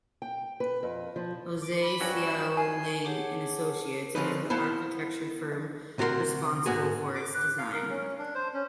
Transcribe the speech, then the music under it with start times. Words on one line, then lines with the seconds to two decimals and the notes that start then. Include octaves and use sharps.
Jose Siao Ling and Associates is the architecture firm responsible for its design.
0.22 G5
0.60 B4
0.83 F2
1.16 F3
1.61 D6
1.81 B5
2.01 G2 C#4 F#4
2.16 E7
2.57 G#5 C7
3.04 G4 G#4 C#5 F#5 A5 D6
4.15 D3 F3 C4 C#4 D#4 B4
4.50 B3 E4 C5 F5 A5
5.98 D2 C3 F#4 A4 A#4 C6
6.66 G#2 D3 B3 F#4 G#4
7.15 D6
7.34 B4
7.58 F5
7.74 A#4
7.89 C#4
8.19 D4
8.35 C5
8.54 C#4